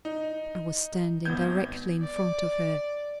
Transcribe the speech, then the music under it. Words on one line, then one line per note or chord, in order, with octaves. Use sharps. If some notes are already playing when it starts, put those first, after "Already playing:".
I was standing directly in front of her.
D#4
G#1 B3 G6 G#6
D5